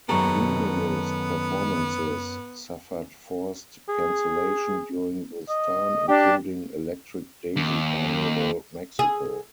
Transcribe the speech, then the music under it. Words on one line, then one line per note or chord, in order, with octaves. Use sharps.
Numerous performances suffered forced cancellation during this time, including Electric Daisy Carnival Mexico.
F#2 D#3 B3 D#4 G4 A4 A#5 C#6
G#4
D#5
D4 G4
D#2
G#4